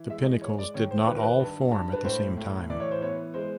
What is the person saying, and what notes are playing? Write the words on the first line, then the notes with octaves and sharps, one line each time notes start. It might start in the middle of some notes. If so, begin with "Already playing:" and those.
The pinnacles did not all form at the same time.
Already playing: E3
G#3 E5
D#5
G#3 C#5
D5
D#3 C#5
C5
D#3 B4
A#4
B4
G2
G2
B4
A2 C5
A2
E3 D5
C#5
C5
B3 C#5
G#3 C5